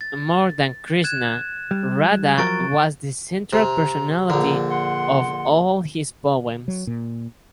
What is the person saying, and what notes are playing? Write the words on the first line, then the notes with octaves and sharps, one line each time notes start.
More than Krishna, Radha was the central personality of all his poems.
A6
F#6 G#6 E7
G3
F3 F#3 A#4 C#6 A6 D7
C3 A#5
A#1 D3 A#5
F#5 C6
F#3
A#2